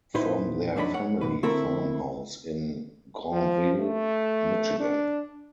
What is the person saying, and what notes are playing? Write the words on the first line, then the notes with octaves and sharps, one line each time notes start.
From their family farmhouse in Grandville, Michigan.
B1 A#2 D#4 E4 B4 C5
F2 F#3 D4 D#4 B5
C#5 F#5
F#2 B2 B4
D3 A3 C4 E4 A4 A#4
F3
A3
D4